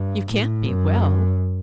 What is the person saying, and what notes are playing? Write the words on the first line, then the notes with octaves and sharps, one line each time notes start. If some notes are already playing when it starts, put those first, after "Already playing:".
'You can't be well.
Already playing: G2
A2
F#2